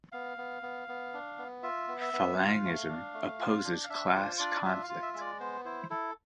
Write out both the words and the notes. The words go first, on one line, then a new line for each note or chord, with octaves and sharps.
Falangism opposes class conflict.
B3 F5
B3
B3
B3
D4
B3
F4 E5
B3
E5
B3
F4 F5
A3
D4
A3
F4
D4
F5
D4 E5
F4 C5
D4 D5
F4 E5
F5
F4
E5
G#3 E5
D5
B3 C5
E4 C5
E4 A4